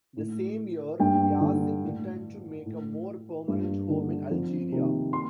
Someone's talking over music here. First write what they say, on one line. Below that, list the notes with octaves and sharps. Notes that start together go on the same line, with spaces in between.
The same year Yacine returned to make a more permanent home in Algeria.
A2
G2 G5
D3
A2
A2
G2
D3
F2
C3 D#3
C6